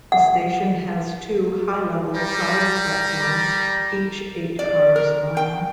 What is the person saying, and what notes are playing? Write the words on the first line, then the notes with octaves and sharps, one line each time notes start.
The station has two high-level side platforms each eight cars long.
F#5
G3 A#5
D5
A#4
G5